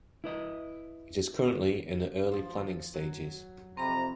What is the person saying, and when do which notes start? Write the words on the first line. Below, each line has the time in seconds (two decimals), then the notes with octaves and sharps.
It is currently in the early planning stages.
0.24 E4 B4 D#5
2.32 F3 C5
2.94 F#3
3.77 F2 C3 C4 A#5 B5